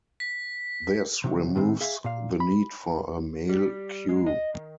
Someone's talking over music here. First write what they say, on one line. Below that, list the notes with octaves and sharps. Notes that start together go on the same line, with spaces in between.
This removes the need for a mail queue.
B6
C3 D#3 F#3
A2 D#3 C4
G#4 E5 F5
A#2 F5
B5
G3
G#3
D#5
D#3